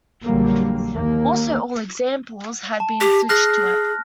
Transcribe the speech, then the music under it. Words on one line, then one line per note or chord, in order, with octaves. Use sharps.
Also all examples had been switched to it.
A#1 D3 F#3 G3 A#3
D#2 A#3
A5
G4
G#4 F6 F#6 A#6